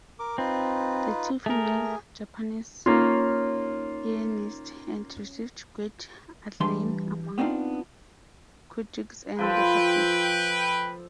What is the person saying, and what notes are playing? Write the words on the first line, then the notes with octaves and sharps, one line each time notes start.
The two female Japanese pianists and received great acclaim among critics and the public.
A#4 D6
C4 D#4 F4 B4
A3 G#4 A#4
A#3 C#4 D#4 F4
E3 G3 D4 B4 C6
B3 C4 D4 D#4 F4
F3 A4 B4 C5 G5